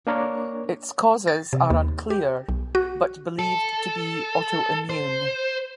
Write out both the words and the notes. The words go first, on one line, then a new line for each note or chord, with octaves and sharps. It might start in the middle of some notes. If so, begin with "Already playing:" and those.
Its causes are unclear, but believed to be autoimmune.
A#3 D4 A#4 C#5
A6
C3
D#2
G4
B1
F#4
A4
C5